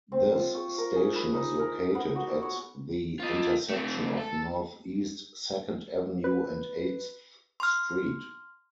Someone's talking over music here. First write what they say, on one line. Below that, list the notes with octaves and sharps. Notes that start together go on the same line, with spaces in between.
This station is located at the intersection of Northeast Second Avenue and Eighth Street.
C4
F4
C#6
A#4
G#4
B4
D#4
A#4
B3
F#4
E6
C#5
F4 D#5
A3 C4
A4
B4
C6 F6